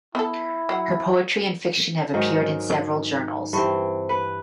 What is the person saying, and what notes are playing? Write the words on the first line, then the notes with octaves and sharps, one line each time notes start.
Her poetry and fiction have appeared in several journals.
B3 E4 A4
F#3 F#5
G#2 D#3 F#3
G2 E3 C4
B4